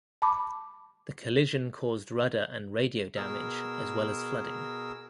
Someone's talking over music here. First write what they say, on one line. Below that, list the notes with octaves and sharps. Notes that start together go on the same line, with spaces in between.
The collision caused rudder and radio damage as well as flooding.
A5 B5 D6
B2 G#4 A#4 E6